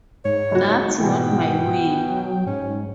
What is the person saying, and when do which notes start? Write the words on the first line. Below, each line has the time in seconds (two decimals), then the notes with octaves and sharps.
That's not my way.
0.25 G#2 C#5
0.51 F#1 F#4
1.00 B2 E3 G5
2.08 F#3
2.47 G#2 C#4